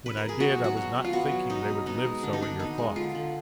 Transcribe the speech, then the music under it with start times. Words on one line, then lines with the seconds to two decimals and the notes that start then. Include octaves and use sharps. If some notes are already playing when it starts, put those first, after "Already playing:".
When I did I was not thinking they would live so in your thoughts.
0.06 B4
0.17 A#4
0.29 G#4
0.40 B3 F#4
0.58 F#3
0.64 F#4
0.77 B2
0.95 B2
1.05 F4
1.13 B3 F#4
1.31 F#3
1.50 B2 D#4
1.68 B2
1.86 B3 D#4
2.05 G#3
2.23 D3 D4
2.33 D#4
2.41 D3 D4
2.59 B3 D#4
2.78 G#3
2.96 D3 F4
3.15 D3